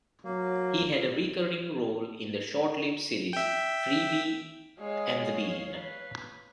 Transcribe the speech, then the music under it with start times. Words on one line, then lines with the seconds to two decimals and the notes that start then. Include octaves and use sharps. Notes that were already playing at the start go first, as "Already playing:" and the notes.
He had a recurring role in the short-lived series "Freebie and the Bean".
0.25 F#3 A#3
3.33 E5 G5
4.79 G#3 C#5 F5
5.73 B4